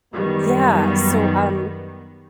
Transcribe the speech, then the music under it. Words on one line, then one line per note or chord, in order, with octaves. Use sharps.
Yeah, so, um,
F#2 D#3 G3 B3